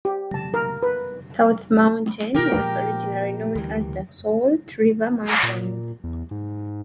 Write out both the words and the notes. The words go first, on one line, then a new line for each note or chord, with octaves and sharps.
South Mountain was originally known as the Salt River Mountains.
G4
A5
A#4
B4
B2 D#3 G4 A#4
A#2 F3 G#3
D2 E3 G3
A#2
E2
G#2